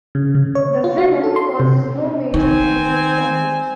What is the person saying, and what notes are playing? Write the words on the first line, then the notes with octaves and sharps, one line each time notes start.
The venom causes no major medical problems.
C#3
C#3
C#5
F4
F#4
A4
C6
C3
D#3 C4 G#5